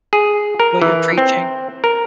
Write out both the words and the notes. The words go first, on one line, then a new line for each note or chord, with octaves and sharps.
what you're preaching?
G#4
A#4
E3
C4
A#4